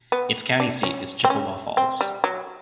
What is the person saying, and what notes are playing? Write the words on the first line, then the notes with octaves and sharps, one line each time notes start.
Its county seat is Chippewa Falls.
B3
D4
C#4
C4
C#4
C4
G3
F#3